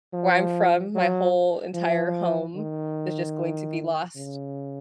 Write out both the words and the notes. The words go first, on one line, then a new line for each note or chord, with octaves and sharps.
where I'm from, my whole entire home is just going to be lost
F3
F#3
F3
D#3
C#3